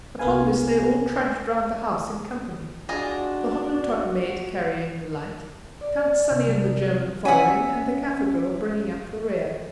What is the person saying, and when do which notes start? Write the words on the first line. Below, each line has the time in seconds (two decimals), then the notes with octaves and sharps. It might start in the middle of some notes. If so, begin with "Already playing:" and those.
Upon this they all trudged round the house in company--the Hottentot maid carrying the light, Tant Sannie and the German following, and the Kaffer girl bringing up the rear.
0.19 C2 A#3 B3 B4 F5 G#5
2.89 D4 F4 F#4 G#4 D#5
5.81 D5
5.98 A5
6.30 C3
6.47 G3
6.63 D#4
6.82 F5
7.25 C#4 E5 F#5 G#5 B6